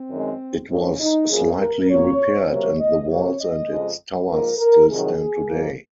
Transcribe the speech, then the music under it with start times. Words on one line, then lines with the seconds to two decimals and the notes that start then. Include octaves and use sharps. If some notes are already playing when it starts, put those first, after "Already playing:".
It was slightly repaired and the walls and its towers still stand today.
Already playing: C4
0.09 F#2 D#3 G#3
0.69 G#2 F#3 A#3 C#4
0.99 D#4
1.29 F#2 F3 A#3 G#4
1.59 A#4
1.89 A#2 F#3 A#3 C#5
2.48 C3 F#3 A#3 C#5
2.78 D#5
3.08 C3 F#3 A#3 C#5
3.39 D#5
3.68 F2 C#3 G#3
4.28 G#2 F3 A#3 A#4
4.58 A#4
4.88 F2 C3 D#3 F#3 G#4
5.48 G#2 F#3 A#3